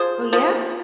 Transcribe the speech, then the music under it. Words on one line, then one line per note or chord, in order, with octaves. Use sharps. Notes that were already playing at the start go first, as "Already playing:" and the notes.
Oh, yeah?
Already playing: F3 G#4 C5
F3